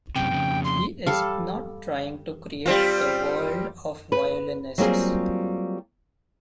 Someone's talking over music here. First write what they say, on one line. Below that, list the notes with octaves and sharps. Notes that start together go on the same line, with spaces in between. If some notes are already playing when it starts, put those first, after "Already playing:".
He is not trying to create the world of violinists.
F#2 C3 G5
F2 C#3
C6
G3 A4 F5
G3 C4 F4
B4
F#3 G3 A#3 C4 F4 G#4